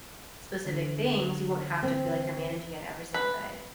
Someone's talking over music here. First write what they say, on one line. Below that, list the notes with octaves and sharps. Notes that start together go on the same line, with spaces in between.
specific things, you won't have to feel like you're managing it every single day.
D3
C4
B4